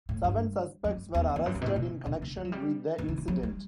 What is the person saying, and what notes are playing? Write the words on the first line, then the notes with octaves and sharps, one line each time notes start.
Seven suspects were arrested in connection with the incident.
A2
G2
F#2
E2
E2
F#2
G2
B2
A2
B2
B2
D3
G3
F#3
G3
E3
D3
E3
F#3
G3